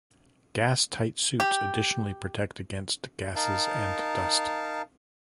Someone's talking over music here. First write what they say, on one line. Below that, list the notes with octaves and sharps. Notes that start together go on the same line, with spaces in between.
Gastight suits additionally protect against gases and dust.
G4
D#4 A#4 F5 A5